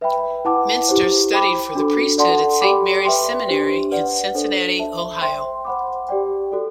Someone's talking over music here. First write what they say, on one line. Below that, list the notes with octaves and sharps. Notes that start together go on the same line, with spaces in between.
Menster studied for the priesthood at Saint Mary's Seminary in Cincinnati, Ohio.
B4 E5 G5 B5
E4 B4 F#5 A5 D6
E4 G4 C5
C5 G5 B5 D6
D4 F#4 A4
A4 D5 F#5 A5 C6
G4 D5 G5 B5 D6
B4 E5 G5 C6
D4 G4 C5
B4 D5 F#5
D4 A4 C5
C5 E5 A5
C5 E5 G5 C6
C5 F#5 B5 D6
G4 D5 G5
F#4 A4 D5